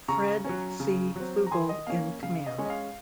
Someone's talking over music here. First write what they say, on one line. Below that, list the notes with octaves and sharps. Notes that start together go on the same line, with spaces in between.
Fred C. Fluegel in command.
C#3 A#5 C#6
F#3 C#4
C#3
F#3 C4
A#5
D#3 G#5 C6
D#5
A#3 C#4 F5
C#3 F5
D#5
G#3 C#4
D#5
F5